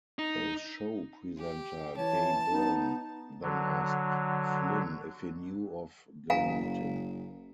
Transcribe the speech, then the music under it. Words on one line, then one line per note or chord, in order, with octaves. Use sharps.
The show presenter Gay Byrne then asked Flynn if he knew of Gilmartin.
D#4
G4
E3 C#5 A5
B3 D#4
D3 F#3
F#1 F5 G#5 A#5